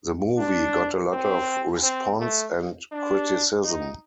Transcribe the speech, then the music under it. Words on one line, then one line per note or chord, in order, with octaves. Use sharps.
The movie got a lot of response and criticism.
D4
C4
C4
A3
D4
D#4